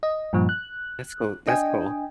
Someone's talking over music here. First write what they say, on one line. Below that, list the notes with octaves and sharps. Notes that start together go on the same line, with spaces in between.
That's cool, that's cool.
D#5
G2 A#2 F3
F#6
D4 D#5 G5 G#5